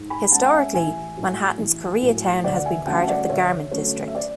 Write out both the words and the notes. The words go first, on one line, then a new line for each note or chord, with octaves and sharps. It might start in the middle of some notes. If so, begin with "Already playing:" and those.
Historically, Manhattan's Koreatown has been part of the Garment District.
Already playing: G#2
G#5 B5
G#3 C#4 F#5 A5
F#5
E5 G#5
A1 E5 G#5
A2 F#3 A3
A1
A2 F#3 A3
D2 D5 F#5
E5 G#5
D3 F#3 A3 C#4 F#5 A5
E5
D5 F#5
D2 C#5 E5
D3 F#3 A3 C#4 C#5
E5
D5